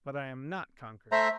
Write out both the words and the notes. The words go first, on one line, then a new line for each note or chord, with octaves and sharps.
But I am not conquered!
A3 C5 E5 A#5